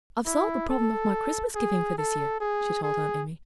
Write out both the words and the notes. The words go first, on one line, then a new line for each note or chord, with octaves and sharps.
"I've solved the problem of my Christmas giving for this year," she told Aunt Emmy.
E4
A4
G#4
A4
G#4
G#4